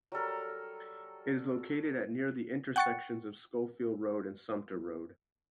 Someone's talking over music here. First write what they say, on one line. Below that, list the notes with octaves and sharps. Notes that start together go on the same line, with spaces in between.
It is located at near the intersections of Scofield Road and Sumpter Road.
F#3 G3 A4 A#4
F#5 G5 C#6 F#6 A6 C#7